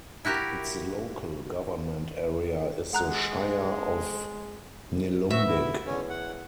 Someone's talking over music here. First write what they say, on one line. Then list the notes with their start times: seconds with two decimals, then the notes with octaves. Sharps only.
Its Local Government Area is the Shire of Nillumbik.
0.25 E4 F#4 G4 A#4
2.93 G#3 F#5 A#5 F#6
4.95 C2
5.30 B3 C4 F#4 E5
5.48 E4
5.86 E2 D3 C#4
6.10 F#5